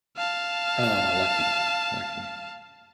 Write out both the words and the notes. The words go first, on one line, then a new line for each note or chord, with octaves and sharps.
Oh, lucky, lucky.
F5 A5